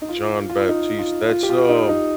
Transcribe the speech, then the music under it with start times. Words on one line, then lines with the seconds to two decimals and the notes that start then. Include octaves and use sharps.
Jon Batiste, that's, um
0.02 D#4
0.09 F4
0.30 F4
0.50 F4
0.60 F4
0.69 D#4
0.99 F4
1.29 F4
1.43 G4
1.50 F4
1.69 D#4
1.89 D#4